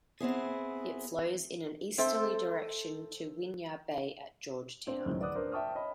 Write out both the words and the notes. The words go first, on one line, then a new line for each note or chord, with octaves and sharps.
It flows in an easterly direction to Winyah Bay at Georgetown.
B3 C4 E4 G#4
C4 A4 C5 E5
C4 D4
C#2 F#2 A2 D#3 C4
B4 D5 F#5 D6 D#6 F#6
D4 A#4 C5
E5 G5 A5 C#6 D#6 F6
C#5 D#5 B5